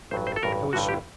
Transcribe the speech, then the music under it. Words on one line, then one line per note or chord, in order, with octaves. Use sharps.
How is she?
A1 G2 F#3 C5
C5
A4
A1 G2 F#3 A#4
A1 G2 D3 G3 F#4
G4